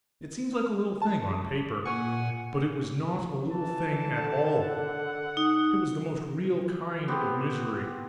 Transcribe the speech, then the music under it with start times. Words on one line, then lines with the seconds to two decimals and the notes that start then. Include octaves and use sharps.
It seems like a little thing, on paper, but it was not a little thing at all; it was the most real kind of misery.
1.02 A5
1.85 A#2 F#5 G#5 C#6
3.51 E3 A5
4.10 D3
4.63 F#5
5.37 D#4
7.08 B3 C4 G4